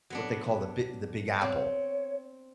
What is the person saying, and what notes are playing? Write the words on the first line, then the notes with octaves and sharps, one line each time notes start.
what they call the Bi the Big Apple.
F#3 B3 D4
C4 C#5